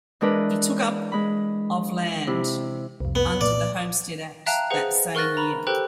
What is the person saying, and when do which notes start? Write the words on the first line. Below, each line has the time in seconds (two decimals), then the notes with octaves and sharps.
He took up of land under the homestead act that same year.
0.21 E3 G#3 D4 A#4 B4
1.12 G#3 B5
2.27 C3 E4
3.00 C2 F2
3.15 B3
3.41 A#2 D5
4.46 E5 F5 G5 A5 A#5 F#6
4.70 G#4 B4 C5 F#5
5.15 A#4 C#6 F6 F#6 A6 A#6
5.37 A#5 B5
5.67 G4 A4 B4 C5 G5 F#6